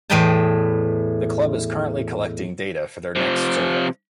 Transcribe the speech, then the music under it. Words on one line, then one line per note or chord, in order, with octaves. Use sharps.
The Club is currently collecting data for their next survey.
E2 A2 B4 D#5 G5 A5
C3 F3